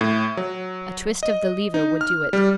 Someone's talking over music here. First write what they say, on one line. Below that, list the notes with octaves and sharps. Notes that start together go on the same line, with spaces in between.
A twist of the lever would do it.
A2
F#3
D#5
D#4
F6
G3